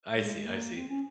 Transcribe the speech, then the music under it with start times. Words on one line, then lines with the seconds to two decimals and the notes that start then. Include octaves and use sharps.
I see, I see.
0.16 G#3
0.37 G#3
0.46 A#3
0.76 C4
0.88 C#4